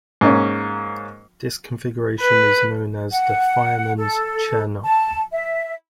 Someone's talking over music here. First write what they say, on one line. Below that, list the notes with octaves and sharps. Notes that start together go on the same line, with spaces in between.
This configuration is known as the fireman's chair knot.
G#2 A#3 C#4
B4
F#5
A4
A5
E5